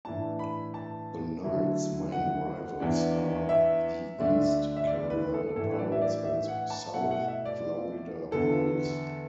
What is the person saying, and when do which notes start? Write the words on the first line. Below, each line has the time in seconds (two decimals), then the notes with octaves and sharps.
The Knights' main rivals are the East Carolina Pirates, and South Florida Bulls.
0.05 A2 E3 D4 A5
0.39 B5
0.74 A5
1.43 D3 F#3 A3 E4
2.12 F#5
2.80 E2 E3 D4
3.49 E5
4.18 D2 D3 A3 D4
4.77 E5
4.87 D5
5.10 B4
5.34 A4
5.56 A2 E3 D4 A4
5.72 B4
5.78 D5
5.92 E5
6.01 D5
6.25 E5
6.48 F#5
6.70 A5
6.93 B2 A3 E4 F#5
7.11 F#5
7.28 E5
7.45 D5
8.31 E2 D3 B3 A4